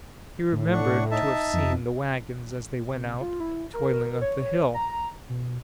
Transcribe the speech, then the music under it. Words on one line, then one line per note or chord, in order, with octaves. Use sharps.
He remembered to have seen the waggons, as they went out, toiling up the hill.
A2
D4 F#5 C#6
D#4 E5 A5
F2
C3
F4
E4
A#4
C#5
A#5
B2